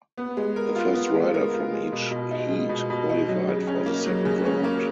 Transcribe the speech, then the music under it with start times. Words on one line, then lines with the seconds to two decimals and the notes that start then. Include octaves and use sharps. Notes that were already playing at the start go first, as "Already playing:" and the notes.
The first rider from each heat qualified for the second round.
0.18 B3
0.37 G#3
0.56 A#4
0.75 F4
0.94 B3
1.14 G#3
1.34 A#4
1.54 F4
1.73 G#3
1.92 B2
2.11 B2
2.31 D#4
2.51 G#3
2.69 B2
2.90 B2
3.09 D#4
3.29 F#3
3.48 C#3
3.67 C#4
3.86 A#3
4.06 F#3
4.25 C#3
4.45 C#4
4.64 A#3